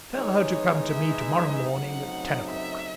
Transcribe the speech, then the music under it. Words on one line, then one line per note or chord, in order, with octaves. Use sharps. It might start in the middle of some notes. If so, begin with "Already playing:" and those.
Tell her to come to me to-morrow morning at ten o'clock.
E3 G#3 D#4 C#5
E5
C#3 F#3 A3 C4 D#4 F#5
E5